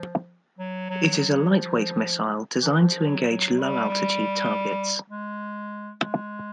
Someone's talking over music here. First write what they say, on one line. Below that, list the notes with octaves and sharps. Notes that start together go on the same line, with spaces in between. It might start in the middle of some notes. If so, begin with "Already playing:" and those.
It is a light weight missile designed to engage low altitude targets.
Already playing: F3
F#3
F#3
F#3
F3
E3
F3
F#3
F#3
G3
G3
G#3
G#3